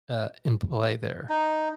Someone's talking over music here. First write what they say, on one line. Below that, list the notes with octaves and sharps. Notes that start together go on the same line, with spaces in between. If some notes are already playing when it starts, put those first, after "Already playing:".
uh, in play there.
D#4